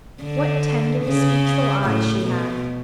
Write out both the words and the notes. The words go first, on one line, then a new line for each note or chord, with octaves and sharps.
What tender, speechful eyes she had!
D3
C#3
A2
B2